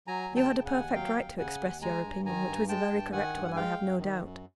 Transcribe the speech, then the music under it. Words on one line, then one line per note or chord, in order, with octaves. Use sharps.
You had a perfect right to express your opinion, which was a very correct one, I have no doubt.
F#3 G#5 A#5
D#2
G5 A5
C#3
F#5 G#5
D#2
F#3 F5 G5
D#2
C#3 F#5 G#5
D#2
G#3 G#5 A#5
G2
D#3 G#5 A#5
G2
G#3 G5 A5
G2
D#3 F#5 G#5
G2
G#5
G#3 F5 G5
F#2
D#3
F#2